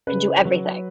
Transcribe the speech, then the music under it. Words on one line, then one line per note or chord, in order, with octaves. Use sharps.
Can do everything.
C#3 B4
F#3